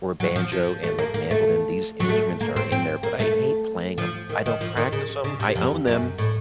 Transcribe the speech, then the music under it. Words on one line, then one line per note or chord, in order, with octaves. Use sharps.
where banjo and, like, mandolin, these instruments are in there, but I hate playing 'em, I don't practice 'em, I own them,
F#3
F3
F3
A3
A#3
A#3
A3
F#3
A3
A#3
C4
C4
A#3
A3
F3
D#3
D#3
F3
D#3
C#3
C#3
C3
F2
F#2
A2